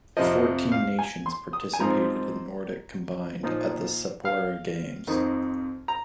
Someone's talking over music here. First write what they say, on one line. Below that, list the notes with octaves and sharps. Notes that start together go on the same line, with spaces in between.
Fourteen nations participated in nordic combined at the Sapporo Games.
F2 C3 F3 D#5
F5
G#5
C6
D#6
G#5
G#2 F3 C4 D#4 A#5
A#2 F3 A#3 D#4
F5
F2 D#3 C4 D#4
A#5